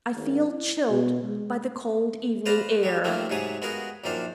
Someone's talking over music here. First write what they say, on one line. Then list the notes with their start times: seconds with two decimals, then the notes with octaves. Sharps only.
"I feel chilled by the cold evening air."
0.15 G#1
0.47 E4
0.89 B2
1.23 G#3
2.46 B4 C5 D5 F5 A#5 B5
2.83 F#3 G3
3.04 D#3 F3 A3 A#3 C4
3.30 G#2 C3 F#3 G#4 D#6
3.62 G#3 B3 F#4 G#4 A#4 F5
4.04 A#1 F#2 D#3 D4 C5 F5